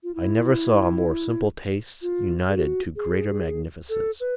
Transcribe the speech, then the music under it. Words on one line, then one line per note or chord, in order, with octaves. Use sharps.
I never saw more simple tastes united to greater magnificence.
F4
E4
F4
G#4
F#4
G#4
A4
B4